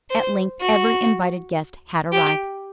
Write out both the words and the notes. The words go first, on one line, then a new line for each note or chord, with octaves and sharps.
At length every invited guest had arrived.
C5
F#4
G4